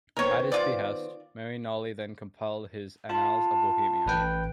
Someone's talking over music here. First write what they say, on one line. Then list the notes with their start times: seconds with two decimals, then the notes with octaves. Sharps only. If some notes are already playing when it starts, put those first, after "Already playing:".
At his behest, Marignolli then compiled his "Annals of Bohemia".
0.17 D#3 B3 C4 A#4 C#5
0.52 F4 D5
3.09 F4 A5
4.06 A1 B4 G5